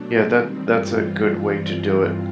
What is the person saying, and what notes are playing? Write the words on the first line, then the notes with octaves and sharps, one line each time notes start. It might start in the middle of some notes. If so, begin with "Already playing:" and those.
Yeah, that that's a good way to do it.
Already playing: B2 F#3 A3 D4
D#3 G3 C4
G2 E3 G3 C4 F4